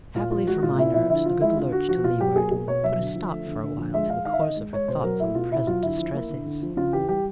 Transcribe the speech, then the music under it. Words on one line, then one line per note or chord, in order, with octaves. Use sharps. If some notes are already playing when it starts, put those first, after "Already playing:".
Happily for my nerves, a good lurch to leeward put a stop for a while to the course of her thoughts on the present distresses.
A#2 F4
F3 F4
G#3 F#4
A#2 F4
A#2 E4
F3 E4
D3 E4
F3 F4
G#3 E4
D3 F4
D3 F#4
F3 F#4
B2 F4
F#3 G4
A#3 G#4
B2 G#4
B2 C#5
F#3 E5
D3
F3
A3
D3
D3
F3
G#3 E5
G#3 F5
D#3 F5
E5
D#3 D#5
G#3
G#3 C#5
B2 C5
F#3 A#4
A3 E4
B2 F4
B2 E4
F#3 F4
D3 E4
F3
A#3
D3
D3
F3
C#3 F4
E3 G4
G3 G4